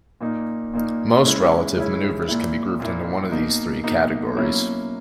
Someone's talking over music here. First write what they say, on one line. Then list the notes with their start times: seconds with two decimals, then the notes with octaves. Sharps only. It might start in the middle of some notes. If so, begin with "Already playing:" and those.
Most relative maneuvers can be grouped into one of these three categories.
0.21 A#2 A#3 D#4
0.73 A#2 A#3 D#4
1.25 C#3 G#3 C#4 E4
1.76 C#3 G#3 C#4 E4
2.28 A#2 A#3 E4
2.80 A#2 A#3 E4
3.31 B2 A#3 D#4
3.84 B2 A#3 D#4
4.34 B2 F#3 A#3 C#4 E4